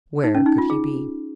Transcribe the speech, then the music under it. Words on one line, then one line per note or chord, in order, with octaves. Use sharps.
Where could he be?
D#4
C#4
D#4
F4
G#4